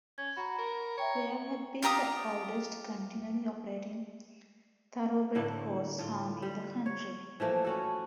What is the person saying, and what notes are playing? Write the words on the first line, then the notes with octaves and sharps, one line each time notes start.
Belair had been the oldest continually operating thoroughbred horse farm in the country.
C#4 G#6
F#4 A#5 B5
A#4
C#5 E5 G5 A#5
F4 G4 A#5 D#6
A2 D3 E4
A2 F4
G3
C#5
E3 F3 A3 A#3
C#4 F#4 A4